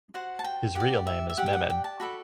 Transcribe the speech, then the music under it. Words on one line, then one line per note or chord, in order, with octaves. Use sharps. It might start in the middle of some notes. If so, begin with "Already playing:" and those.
His real name is Mehmed.
F#4 C5 F#5
A5
G5
G4 D5 F#5
E5
E5
G4 D5 F#5
G5
F#5
G5
A5
F#4 A4 D5 B5